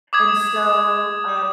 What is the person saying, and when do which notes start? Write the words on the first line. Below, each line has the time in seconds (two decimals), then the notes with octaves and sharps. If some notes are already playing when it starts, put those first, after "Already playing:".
And so, um
0.13 D6 D#6 G#6